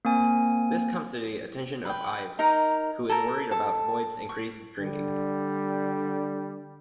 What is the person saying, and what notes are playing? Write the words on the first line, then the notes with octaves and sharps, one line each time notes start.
This comes to the attention of Ives, who is worried about Boyd's increased drinking.
A#3 C4 G#5
B4 G5
D#4 A#4
A4 A#4
A4
C#6
D3 G3